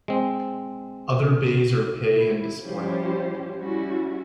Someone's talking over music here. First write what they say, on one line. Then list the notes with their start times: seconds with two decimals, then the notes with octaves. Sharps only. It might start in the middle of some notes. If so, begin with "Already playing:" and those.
Other bays are pay-and-display.
0.08 G#3 C4
2.15 E4
2.62 F3 G3 C#4 E4 G4 C5
3.59 G3 C#4 E4 F#4